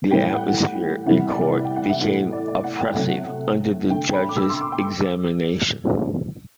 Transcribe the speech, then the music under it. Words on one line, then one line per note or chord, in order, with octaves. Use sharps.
The atmosphere in court became oppressive under the judge’s examination.
A2 E3 G3 G5
F#5
C3 E3 G3 F#5
D5
F#5
G5
F#5
E5
A2 E3 A3 F#5
D5
D5
F#5
G5
C3 F#3 A3 F#5
D3 A3 G5
B5
D6
E6
C6
D6
G5